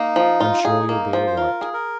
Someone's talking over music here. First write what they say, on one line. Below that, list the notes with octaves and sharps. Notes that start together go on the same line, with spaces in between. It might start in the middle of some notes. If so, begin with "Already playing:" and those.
I'm sure you'll be all right.
Already playing: A#3 D#4
F3
F4
D#4 G#4
A#3 D#4
F3 C5
C5
F4 A#4
G#4
A#4